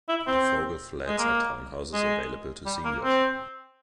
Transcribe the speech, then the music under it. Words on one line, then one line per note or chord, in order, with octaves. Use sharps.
The Fogle Flats are townhouses available to seniors.
E4
C4
G#3
A#3
G#3
G3
A#3
C4